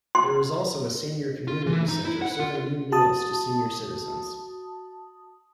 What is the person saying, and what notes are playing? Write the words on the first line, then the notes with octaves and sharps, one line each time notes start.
There is also a senior community center serving noon meals to senior citizens.
C6
F4
E3
D#4
E4
F#5
F4
F#4 A5 D#6